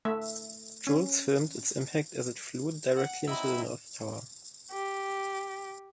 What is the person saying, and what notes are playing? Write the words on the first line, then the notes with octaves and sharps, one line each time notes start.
Jules filmed its impact as it flew directly into the North Tower.
A3 E5
C#4
F#5
F#3 C4 D#4 E4 D#5 B5 E6
G4